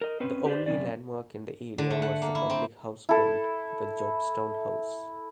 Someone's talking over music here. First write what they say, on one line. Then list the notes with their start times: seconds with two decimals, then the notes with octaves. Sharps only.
The only landmark in the area was the public house called the Jobstown House.
0.01 A#4 D#5
0.20 C4 C#4 B4
0.46 G4 B4 C5 D5
0.66 F#2 C3 D#3 C#4 D5
1.78 D3
1.90 A3
2.02 F#5
2.22 A#3
2.35 E4
2.50 C4
3.09 E4 A4